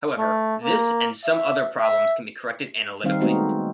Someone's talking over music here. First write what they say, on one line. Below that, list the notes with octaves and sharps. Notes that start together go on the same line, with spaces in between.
However, this and some other problems can be corrected analytically.
A3
A#3
E5
E5
D#3 G3 C4 D#4 F5
G#3 A3 B3 C4 D#4 F#4